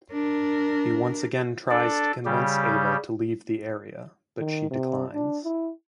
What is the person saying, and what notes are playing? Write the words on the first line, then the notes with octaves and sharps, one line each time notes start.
He once again tries to convince Ava to leave the area but she declines.
D4 A#4
D4 A4 D5
C#3 G3 G4
D#3
C3
D4
E4